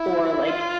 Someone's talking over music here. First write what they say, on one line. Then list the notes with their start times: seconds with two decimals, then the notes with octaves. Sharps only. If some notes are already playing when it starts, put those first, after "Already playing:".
or like
Already playing: E4
0.49 F4